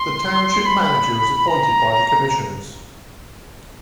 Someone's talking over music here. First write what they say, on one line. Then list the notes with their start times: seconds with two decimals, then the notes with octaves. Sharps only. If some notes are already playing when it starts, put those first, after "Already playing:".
The Township Manager is appointed by the Commissioners.
Already playing: C6
0.66 B5
1.48 A#5